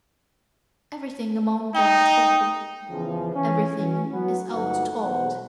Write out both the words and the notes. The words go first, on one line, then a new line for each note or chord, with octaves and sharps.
Everything among them talketh, everything is out-talked.
D#4 G5
E2 C#3 E3 F3
E3 C#4
E3 F#3 C#4
F#3 B3
G1 D2 B3 D#4 F#5
B1 E2 C5 F#5